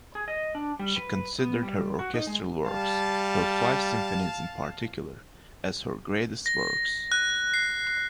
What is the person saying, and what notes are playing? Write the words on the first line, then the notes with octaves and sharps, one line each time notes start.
She considered her orchestral works, her five symphonies in particular, as her greatest works.
G#4
D#5
D4
G3
B4
B3
G3
F#4
D#4
G#3
G3 F5 A5
A#6
F#6
C7